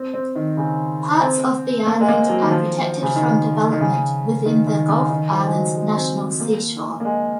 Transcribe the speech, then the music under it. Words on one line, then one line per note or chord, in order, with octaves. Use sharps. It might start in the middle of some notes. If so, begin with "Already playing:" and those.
Parts of the island are protected from development within the Gulf Islands National Seashore.
Already playing: C4
C4
D#3
C#3
C4
A#3
G#3
A#3
F#3
D#3
F3
C#3
D#3
D#3
C#3
D#3
D#3
C#3
D#3
F3
G#3
F#3
G#3
C4
A#3
A#3
G#3